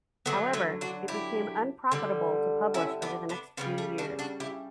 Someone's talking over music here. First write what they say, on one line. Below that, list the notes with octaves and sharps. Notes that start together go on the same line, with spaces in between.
However, it became unprofitable to publish over the next few years.
D3 F#3 A3 B3
A3 C#4
D4 F#4
E4 G4
D3 G3
C#4 E4
B3 D4
B3 D4
C#3 E3 G3 B3
A3
D4 F#4
D4 F#4
E4 G4